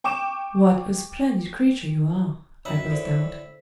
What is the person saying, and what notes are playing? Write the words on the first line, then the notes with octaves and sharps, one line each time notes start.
"What a splendid creature you are!" I burst out.
G5 C#6 D6 E7
F#2 D#3 C#5 E5 F#5 A#5 B5
A2 D3 A4 A#4 C5